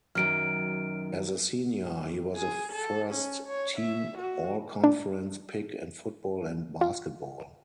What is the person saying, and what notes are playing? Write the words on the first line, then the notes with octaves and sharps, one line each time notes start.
As a senior, he was a first team All-Conference pick in football and basketball.
F#2 D#3 F#3 F6 D7
G#4
A4
C#4
C#5
E5
F#4
D4
F4